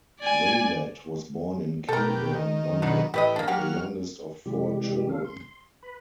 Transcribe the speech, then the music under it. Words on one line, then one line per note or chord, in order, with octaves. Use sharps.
Waylett was born in Kilburn, London, the youngest of four children.
D5 G#5
B2 G4 A4 A#4
D#3
B2 D#3 F#3 D4 D#4
A2 E3 G4 B4 D#5
A#3 D4
F#3 A#3 F#4 G4 F6
C3 E3 G3 G#3 G4
G3 C#4 A4 F5
C6
B4 B5